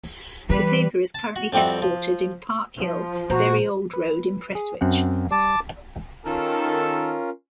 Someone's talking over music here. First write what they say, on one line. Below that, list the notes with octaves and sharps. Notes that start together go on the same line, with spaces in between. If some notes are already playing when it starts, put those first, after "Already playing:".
The paper is currently headquartered in Park Hill, Bury Old Road in Prestwich.
E3 G3 B4
A5
F#4
F2 G3 C4 F#4 E5
F3
F3
A#2 F#4 C5 A#5
B4
G#4
F#2 C4 F#5
G3 A5 D6
D#3 C#4 F4 A4 A#4